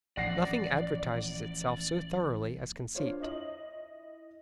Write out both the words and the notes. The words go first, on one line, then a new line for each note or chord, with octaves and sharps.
Nothing advertises itself so thoroughly as conceit.
A1 F3 D5 F#5 A#6 C7
D4 F4 C5 C#5
E4 D#5 F#7